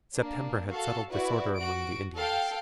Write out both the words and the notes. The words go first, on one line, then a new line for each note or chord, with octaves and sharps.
September had settled disorder among the Indians.
A#3 D4
F#4 A4 F5
E4 F#4 B4 D5
F#4 D7
A4 F5 G5